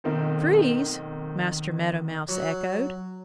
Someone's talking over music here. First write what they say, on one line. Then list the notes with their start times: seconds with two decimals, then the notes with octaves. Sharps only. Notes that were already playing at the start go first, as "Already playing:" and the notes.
"Trees!" Master Meadow Mouse echoed.
0.04 B1 D#3 A#3 C4
2.29 F#3